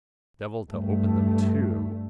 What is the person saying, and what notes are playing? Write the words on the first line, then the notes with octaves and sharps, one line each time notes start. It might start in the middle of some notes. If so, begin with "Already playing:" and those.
Devil to open them too.
G2 A3